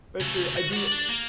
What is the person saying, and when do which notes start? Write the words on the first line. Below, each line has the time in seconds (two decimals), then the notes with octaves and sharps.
That's true. I do
0.20 C#3 A3
0.57 F#4
0.73 F#4 D5
0.88 D4 D5
1.09 A#3